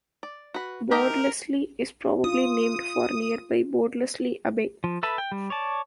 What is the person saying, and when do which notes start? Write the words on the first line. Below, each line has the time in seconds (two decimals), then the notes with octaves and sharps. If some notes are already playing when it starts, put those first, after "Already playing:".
Bordesley is probably named for nearby Bordesley Abbey.
0.23 D5
0.54 F#4 B4
0.91 A3 D#4 G4 A#4
2.24 F4 D#6
4.84 F3
5.03 A4 B4 E5 A5 B5
5.18 G5
5.32 G3
5.50 C#5 D5 A5